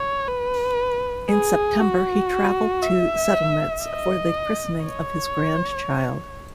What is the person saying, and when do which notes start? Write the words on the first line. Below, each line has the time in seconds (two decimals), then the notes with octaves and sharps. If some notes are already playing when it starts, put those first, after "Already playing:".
In September he traveled to Sedlnitz for the christening of his grandchild.
Already playing: C#5
0.28 B4
1.29 G#4
1.80 F#4
2.83 E5
3.84 D#5
4.85 C#5